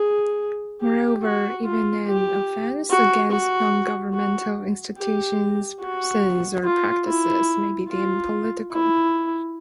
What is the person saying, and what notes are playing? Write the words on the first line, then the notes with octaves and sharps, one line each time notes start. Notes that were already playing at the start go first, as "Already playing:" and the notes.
Moreover, even an offence against non-governmental institutions, persons, or practices may be deemed political.
Already playing: G#4
G4
F#4
F4
G4
F#4
F#4
F#4
G4
F#4
F4
E4
F4
E4